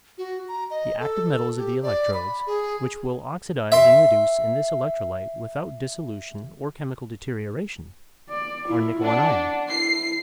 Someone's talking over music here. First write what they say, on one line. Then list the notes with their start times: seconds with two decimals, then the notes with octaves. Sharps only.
The active metals of the electrodes--which will oxidize and reduce in this electrolyte without dissolution or chemical deterioration--are nickel and iron.
0.18 F#4
0.48 A#5
0.71 D#5
1.00 A4
1.57 G4
1.83 D5
2.14 B5
2.47 G#4
3.72 E5 C6
8.30 D5
8.68 E4 F4
9.03 D4 F#5
9.70 E4 C7